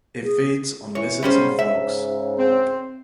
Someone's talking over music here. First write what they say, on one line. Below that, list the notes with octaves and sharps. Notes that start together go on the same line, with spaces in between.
It feeds on lizards and frogs.
G#4
E3 C#5
G#2 C#3 G3 C#4 C5
E5
C4